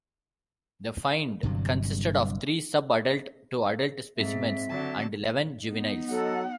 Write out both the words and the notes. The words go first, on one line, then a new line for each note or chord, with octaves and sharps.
The find consisted of three sub-adult to adult specimens and eleven juveniles.
G1 G2 C3 F#3
G#2 C4 E5
D3 F#3 A5
B3 D#4
F#3 A4 D#5 F#5